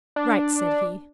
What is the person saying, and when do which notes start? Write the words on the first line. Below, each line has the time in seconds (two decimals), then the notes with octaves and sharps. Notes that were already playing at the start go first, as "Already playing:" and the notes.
"Write!" said he.
0.16 D4